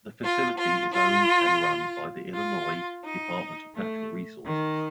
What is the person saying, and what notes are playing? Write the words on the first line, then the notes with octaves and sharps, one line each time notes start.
The facility is owned and run by the Illinois Department of Natural Resources.
F4
F4
F4
F4
D#4
A3
D#3